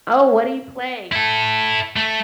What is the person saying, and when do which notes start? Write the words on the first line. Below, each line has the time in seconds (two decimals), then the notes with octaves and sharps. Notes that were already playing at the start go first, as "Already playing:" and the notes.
Oh, what do you play?
1.12 E4 A4
1.96 A3